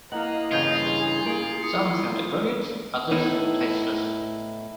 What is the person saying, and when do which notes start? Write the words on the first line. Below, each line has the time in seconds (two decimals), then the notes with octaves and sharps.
Some found it brilliant; others, tasteless.
0.12 A#3 E4 D#5 F#5 A#5 F#7
0.52 G2 C#3 E3 F4 F5 G6 G#6
0.84 G#4
1.26 A#3 D7 F#7
1.62 E4 G#4 D#6 C#7
3.11 A2 B3 D#4 E4